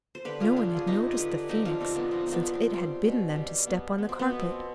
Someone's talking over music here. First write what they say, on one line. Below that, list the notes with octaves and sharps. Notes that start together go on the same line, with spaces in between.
No one had noticed the Phoenix since it had bidden them to step on the carpet.
C5
D3 G4 B4
F4 G#4
B3 D4 F4
G#4
B3 D#4 G4
G#4
D3 G4 B4
F3 D#4 G4
D4 F4
D3 C4 D#4
B3 D4
F3 C4 D#4
C4
B3 D4
B3
C4
G3 C4
B2
G3
B3
B3
C4
B3
B2
C4